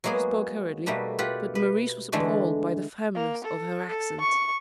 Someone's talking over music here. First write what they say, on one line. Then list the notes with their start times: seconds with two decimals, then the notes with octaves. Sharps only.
She spoke hurriedly, but Maurice was appalled by the firmness of her accent.
0.04 F#3 G#3 A#3 B3 G#4
0.86 B2 G3 A3 A#3 B4 A#5
1.19 F4 G4 B4 D5 F#5
1.55 B4
2.12 D3 E3 G#3 A3 D4
3.15 A#3
3.44 A4
3.89 A4
4.20 C#6